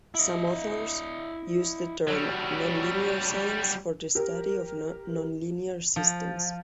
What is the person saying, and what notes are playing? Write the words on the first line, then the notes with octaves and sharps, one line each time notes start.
Some authors use the term nonlinear science for the study of nonlinear systems.
E4 D#5
F#3 G3
G4 A#4
F3